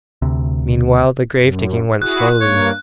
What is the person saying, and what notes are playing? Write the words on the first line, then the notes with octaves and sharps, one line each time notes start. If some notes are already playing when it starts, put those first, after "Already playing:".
Meanwhile the grave digging went slowly.
D2 C3
F#2
E4 F#4 G#4 F#6
G2 A#3 C#5